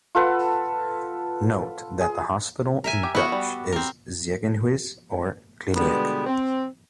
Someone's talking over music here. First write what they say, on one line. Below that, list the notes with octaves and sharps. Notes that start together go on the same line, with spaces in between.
Note that hospital in Dutch is "ziekenhuis" or "kliniek".
F4 A4 B4 F#5
G#4
A#4 E5 G#5
G4
B3 E4 F#4
G3
C4 A#4
B2 D3 G3 G#3 B3
C4